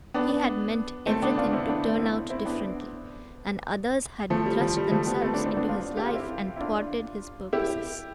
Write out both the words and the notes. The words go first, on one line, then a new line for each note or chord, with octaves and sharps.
He had meant everything to turn out differently; and others had thrust themselves into his life and thwarted his purposes.
B3 D4
A3 C4
B3 D4
D4 F4
C4 E4
B3 D4
A3 C4
C4 E4
C4 E4
B3 D4
F3 A3
G3
F3
G3
F3 A3
G3 B3
A3 C4
B3 D4
A3 C4
B3 D4
D4 F4
G4
F4
C4 E4
E4
D4 F4
E4 G4